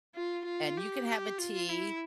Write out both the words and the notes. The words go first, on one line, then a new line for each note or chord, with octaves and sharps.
and you can have a tea,
F4
F4
G4
G4
F4
E4